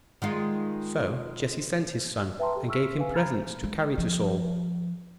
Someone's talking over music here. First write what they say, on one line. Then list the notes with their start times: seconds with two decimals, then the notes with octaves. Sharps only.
So Jesse sent his son, and gave him presents to carry to Saul.
0.22 D#3 G#3 F4
2.39 B4 E5 G5 A5 A#5 C6
2.56 G4 A4 E5
2.69 C#6 E6 F6 B6
2.97 B4 F5 G#5
3.14 A#5 B5 F6 G#6 A6
3.62 D3 G#3
3.98 F3